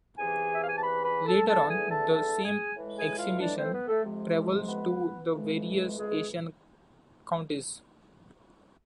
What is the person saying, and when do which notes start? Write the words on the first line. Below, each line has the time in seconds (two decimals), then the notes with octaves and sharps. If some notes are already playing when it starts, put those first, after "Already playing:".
Later on the same exhibition travels to the various Asian counties.
0.18 E2 C3 E3 G#4 G#5
0.54 E5
0.61 F5
0.68 G#5
0.75 A5
0.83 B4 B5
1.04 B4 B5
1.25 A4 A5
1.47 E2 D3 A3 A4 A5
1.68 G#4 G#5
1.89 A4 A5
2.12 A4 A5
2.43 G#4 G#5
2.76 A2 E3 G#3
2.97 G#4 G#5
3.18 F4 F5
3.40 D4 D5
3.56 C4 C5
3.65 A4
3.72 B3 B4
3.88 A3 A4
4.04 F2 C3 F3 G#3
4.69 B3 B4
5.33 F2 E3 G#3
5.97 G#3 G#4